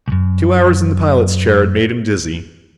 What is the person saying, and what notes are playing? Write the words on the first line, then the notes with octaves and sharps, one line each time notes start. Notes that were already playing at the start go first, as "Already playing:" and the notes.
Two hours in the pilot's chair had made him dizzy.
C2 F#2